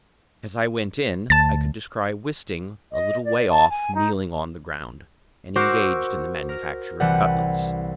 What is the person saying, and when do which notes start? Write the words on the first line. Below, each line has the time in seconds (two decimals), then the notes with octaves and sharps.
As I went in, I could descry Wisting a little way off kneeling on the ground, and engaged in the manufacture of cutlets.
1.30 D2 A5 A6
2.92 D#5
3.25 D5
3.49 A5
3.70 G#5
3.95 D#4
5.56 F#4 A#4 C5 C#6 D6 E6
6.49 A#4
7.00 C2 E3 G3 F#5